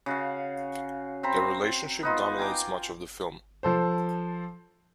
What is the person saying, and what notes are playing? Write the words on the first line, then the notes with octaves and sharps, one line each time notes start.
Their relationship dominates much of the film.
C#3 F#4 F5
C4 C5 A#5 B5
B3 D#4 F4
G5 G#5 A#5 D6
F3 A4 C5